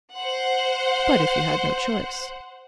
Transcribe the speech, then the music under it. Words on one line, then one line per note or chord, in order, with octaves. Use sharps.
"But if he had no choice?"
C5 F#5